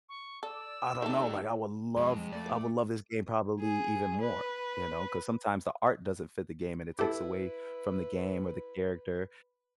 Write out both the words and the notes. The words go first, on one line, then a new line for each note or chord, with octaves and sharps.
"I don't know, like, I would love I would love this game probably even more," you know? 'Cause sometimes the art doesn't fit the game, and it takes away from the game, or the character,
C#6
A4 D5 E6
A3 D#4 G4 A4
F2 G#3
A3 D5
G#4
B4
E4 G4 A4 B4